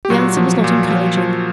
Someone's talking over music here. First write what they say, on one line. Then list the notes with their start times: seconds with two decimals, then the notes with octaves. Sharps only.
The answer was not encouraging.
0.05 G4
0.10 A#2 F#3 F#4
0.37 F3
0.64 A#2
0.91 F3
1.17 F3